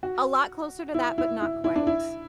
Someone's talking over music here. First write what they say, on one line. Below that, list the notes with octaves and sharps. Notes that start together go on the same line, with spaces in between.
A lot closer to that but not quite.
F#4
E4
E4
E4
E4
D4
E4